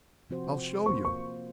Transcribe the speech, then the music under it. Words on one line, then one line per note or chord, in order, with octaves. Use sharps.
I'll show you.
C3 F3 C4 F#4 C5
A#3 F4 C5 C#6
C#6